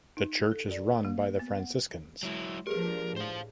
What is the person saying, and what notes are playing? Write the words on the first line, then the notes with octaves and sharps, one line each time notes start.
The church is run by the Franciscans.
D#4
A4
D5
A#3
B3
F#5
F#3 G#3 E4
F3 A#3 D4 G4 G#4 A#4 B4
A2 C5 F5